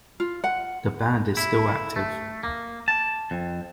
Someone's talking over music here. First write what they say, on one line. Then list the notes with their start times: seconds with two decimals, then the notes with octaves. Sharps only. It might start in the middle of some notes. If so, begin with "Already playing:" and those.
The band is still active.
0.20 F4
0.44 F#5
1.37 E4
1.96 A3
2.43 A#3
2.88 A5
3.31 F2